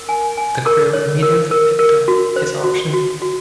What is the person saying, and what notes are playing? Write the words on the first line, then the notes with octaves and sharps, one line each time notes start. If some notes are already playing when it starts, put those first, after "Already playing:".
The Crew immediately picked up his option.
Already playing: A#4
G#5
G#5
A#4
C#5
A#4
A#4
A#4
F#4
C5
F#4
F#4
F#4